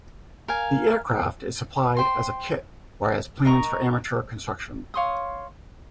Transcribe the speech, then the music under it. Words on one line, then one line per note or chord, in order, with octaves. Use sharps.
The aircraft is supplied as a kit or as plans for amateur construction.
A#4 F5 G#5
C5 G5 C6
A#4 D#5 A#5 C#6
C#5 F5 C6 D#6